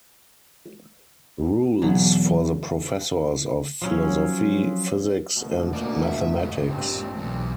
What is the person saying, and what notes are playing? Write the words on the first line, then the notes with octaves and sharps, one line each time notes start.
Rules for the professors of philosophy, physics, and mathematics.
E2 B2 F#3
F3 F#3 C#4
D2 B2
D3 A#3 F4 D5 D6
C#2 G2 E5
A2 G#3
A1 D#2 A#2 C4
B1 E2